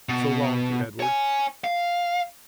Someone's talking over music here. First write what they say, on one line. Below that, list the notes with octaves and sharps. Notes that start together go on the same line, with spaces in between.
"So long," to Edward.
B2
C#5 G#5
F5